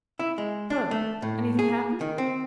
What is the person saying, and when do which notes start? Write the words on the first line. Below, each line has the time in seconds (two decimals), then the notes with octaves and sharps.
Good. Anything happened?'
0.19 E4
0.38 G#3
0.70 D4
0.91 A3
1.22 A2
1.59 G#4
2.01 D#3
2.18 C4